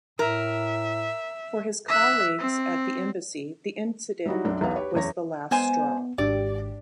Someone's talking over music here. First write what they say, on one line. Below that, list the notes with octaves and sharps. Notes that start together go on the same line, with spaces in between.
For his colleagues at the embassy, the incident was the last straw.
A2 A#4 E5
E5 F#6
C4
F#3 G3 D#4 E4 F#4
B1 F#2 D4
B1 E2 B3 F5
G4 B4 C#5
F#1 E2 C#5 A#6
G#3 B3 C5 G#5
G#1 G#2 D4 G4 D5